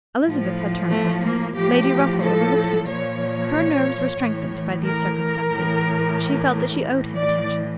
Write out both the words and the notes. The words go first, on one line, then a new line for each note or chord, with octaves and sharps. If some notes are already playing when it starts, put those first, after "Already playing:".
Elizabeth had turned from him, Lady Russell overlooked him; her nerves were strengthened by these circumstances; she felt that she owed him attention.
A2 F3
A3
A#3
A2 F3 G4
A4
A#2 F3 C#5
A2 E3
A#4
A2 E3
A2 E3
D5